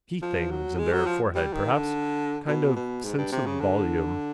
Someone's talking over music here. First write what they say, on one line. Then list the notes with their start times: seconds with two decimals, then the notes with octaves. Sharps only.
See things in their forehead perhaps: kind of sense of volume.
0.22 F3
0.51 F#3
0.78 G#3
0.93 F#3
1.07 F3
1.35 G3
1.53 D#3
1.72 D3
2.48 B2
2.76 B2
3.04 G#2
3.18 G2
3.32 C3
3.46 C#3
3.61 D3